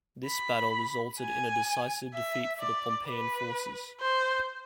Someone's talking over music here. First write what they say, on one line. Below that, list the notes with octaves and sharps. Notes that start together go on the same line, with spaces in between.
This battle resulted in a decisive defeat for the Pompeian forces.
B5
G#5
E5
D5
B4
C5